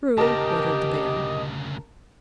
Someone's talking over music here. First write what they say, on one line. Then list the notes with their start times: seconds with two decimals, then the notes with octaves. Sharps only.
"True," muttered the Bear.
0.18 D2 G#2 C#3 G4 A#4 D#5 A5